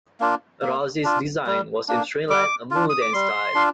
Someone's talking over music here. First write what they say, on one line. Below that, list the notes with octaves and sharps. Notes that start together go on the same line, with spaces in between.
Rowse's design was in Streamline Moderne style.
A#3 D4 F4
A#3
D4 F4
G3
A#3 D4
G3 D6
D4 F4
D#6
D6
G3 C6
D4 F4